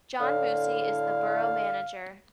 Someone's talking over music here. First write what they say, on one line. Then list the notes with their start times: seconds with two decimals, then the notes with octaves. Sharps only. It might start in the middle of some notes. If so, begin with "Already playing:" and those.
John Moosey is the borough manager.
0.20 A2 D3 F5